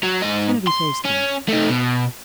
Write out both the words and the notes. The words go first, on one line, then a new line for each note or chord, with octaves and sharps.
Kennedy faced me.
F#3
G#2 D#5
C6
C#4
A3 D#4
B2